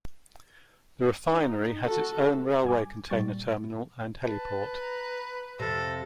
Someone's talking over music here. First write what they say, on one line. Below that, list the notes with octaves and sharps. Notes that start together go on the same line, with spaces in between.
The refinery has its own railway container terminal and heliport.
D#4
F#4 A4
G2 G#5 D6
A#2 G3 C#6 A6
B4 A5
A#5
F2 C3 A4 A#6